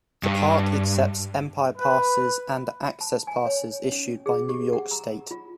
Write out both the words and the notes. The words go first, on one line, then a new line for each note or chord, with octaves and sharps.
The park accepts Empire Passes and Access Passes issued by New York State.
G2
B4
A5
G#5
C#5
C#4
G#4
G4
F#5
A#5
F4